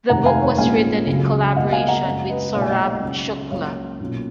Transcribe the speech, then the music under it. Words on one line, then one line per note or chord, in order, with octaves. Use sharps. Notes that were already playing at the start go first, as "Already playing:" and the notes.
The book was written in collaboration with Saurabh Shukla.
F1 D#2 D#3 A#3 F#5 A#5
F5 G#5
C#5 F5
A#1 A#2 G#3 C#4 F5 G#5
C#2 C#3 F#3
C#2 B2 A#3 D#5 F#5
F5 G#5
F#5 A#5
F#2 C#3 G#3
B4 D#5
B1 A#2 G#3 C#5 F5
G#5
D#5 F#5
C#5 F5
C#2 C#3 F#3 C#4
C#2 C#3 F#3 A#3 C#4 C#5 F5
B1 A#2 F#3 C#4